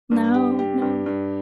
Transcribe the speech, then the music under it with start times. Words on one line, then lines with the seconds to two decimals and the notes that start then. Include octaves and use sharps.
No. No.
0.11 G2
0.34 G4
0.59 G4
0.82 G2
1.06 G2